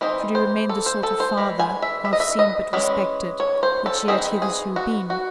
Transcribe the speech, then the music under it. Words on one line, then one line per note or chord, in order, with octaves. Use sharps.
Should he remain the sort of father, half seen but respected, which he had hitherto been?
E3 C4 D#4 C5
C5
A4
C5
A4
C5
E3 G#3
G#5
E5
E5
D#5
E5
D#5
E3 G#3 C#4
C#5
C5
A4
E3 C4 D#4 G#4
G#4
F#4
F#4